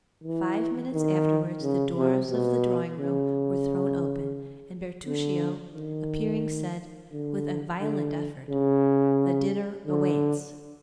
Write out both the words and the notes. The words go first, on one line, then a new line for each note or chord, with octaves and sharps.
Five minutes afterwards the doors of the drawing-room were thrown open, and Bertuccio appearing said, with a violent effort, "The dinner waits."
E3
D#3
C#3
C3
B2
C#3
D3
D#3
D3
D3
C#3
D3